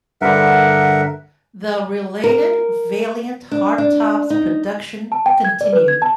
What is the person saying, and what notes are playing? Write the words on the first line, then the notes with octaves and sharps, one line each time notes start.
The related Valiant hardtop's production continued.
G2 D3 A#4 E5 F#5
A#4
D4
D4
D#4
A5
G5
G#6
D5
B4
G#6
A5